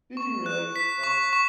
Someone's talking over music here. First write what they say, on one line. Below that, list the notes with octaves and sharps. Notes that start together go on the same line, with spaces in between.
Did you really? Oh,
C#6
F#6
B6
C#6
C#6